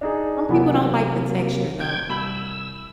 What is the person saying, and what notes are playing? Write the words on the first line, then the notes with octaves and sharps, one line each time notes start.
some people don't like the texture though,
D4 D#4 G#4
C3 E3 F#3 A#3 B3
G5 G6 G#6
C2 B5 E6 F#7